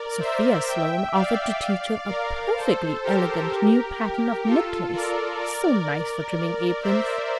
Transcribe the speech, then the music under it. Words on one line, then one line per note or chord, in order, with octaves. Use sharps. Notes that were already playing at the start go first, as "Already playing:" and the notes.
Sophia Sloane offered to teach her a perfectly elegant new pattern of knit lace, so nice for trimming aprons.
Already playing: A#4 D5
C5 E5
E5 G5
D5 F5
A#4 D5
A4 C5
G4 A#4
F4 A4
A#4 D5
A#4 D5
C5 E5